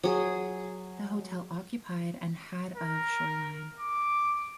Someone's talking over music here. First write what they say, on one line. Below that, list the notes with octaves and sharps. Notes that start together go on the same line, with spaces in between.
The hotel occupied and had of shoreline.
F#3 G#4
A#4
D6